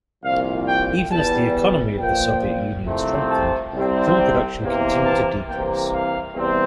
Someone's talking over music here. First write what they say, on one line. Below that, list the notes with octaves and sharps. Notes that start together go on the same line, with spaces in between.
Even as the economy of the Soviet Union strengthened, film production continued to decrease.
C2 A#2 F3 F5
G5
E2 E3 G3 A5
A#2 F3 A#3 G5
C2 C3 F3 A3 C4
A5
C2 C3 G3 C4
G5
E2 C3 E3 A#3
A5
C2 C3 E3 A#3 G5
F5
E2 C3 G3 C4